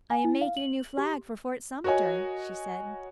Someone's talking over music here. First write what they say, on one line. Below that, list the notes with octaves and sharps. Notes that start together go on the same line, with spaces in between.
"I am making a new flag for Fort Sumter," she said.
G#5
E4
F5
F#7
G4
F#4 A#4 C#5 D#5 G#5